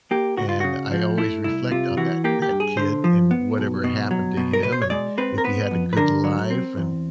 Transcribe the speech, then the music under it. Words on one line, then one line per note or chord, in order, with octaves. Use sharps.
And I always reflect on that that kid and whatever happened to him and if he had a good life and
A#3 G4
C#2 F#4
F4
C#3 F#4
F3
A3 E4
C2 E4
C3 F4
E3 F#4
A#3 G4
G4
G2
G#4
D3 C5
F3
B3
B1
B2
F#3
B2
A#4
B2 B4
C5
C#5
G#3 D5
C4 B4
A#4
B3 B4
F2
B4
D3 A#4
F#3
C4
E2